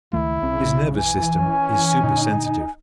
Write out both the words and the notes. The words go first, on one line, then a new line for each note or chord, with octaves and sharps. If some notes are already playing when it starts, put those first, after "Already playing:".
His nervous system is supersensitive.
C#2 D#3 A3 E4
B1 C#3 C4
E3 G#5
C#4
A#2 D3 D#4